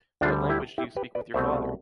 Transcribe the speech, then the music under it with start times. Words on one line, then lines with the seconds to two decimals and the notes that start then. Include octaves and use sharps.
What language do you speak with your father?
0.21 D2 D3 G3 D4 F4
0.49 E4 G4
0.78 E4 G4
0.96 G4 B4
1.15 B4 D5
1.34 C2 B2 A3 C4 C5 E5
1.53 D5 F5